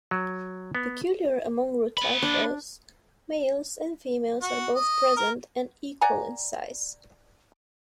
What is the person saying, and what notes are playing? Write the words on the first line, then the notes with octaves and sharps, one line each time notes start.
Peculiar among rotifers, males and females are both present and equal in size.
F#3
B3
A#3 B5
D4
F#4
D#5
A#4
D5 F#5 G#5 A#5